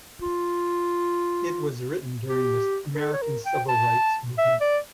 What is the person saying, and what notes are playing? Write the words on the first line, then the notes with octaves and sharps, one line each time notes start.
It was written during the American Civil Rights Movement.
F4
G4
A#4
A4
C#5
A#4
G5
A5
E5
D5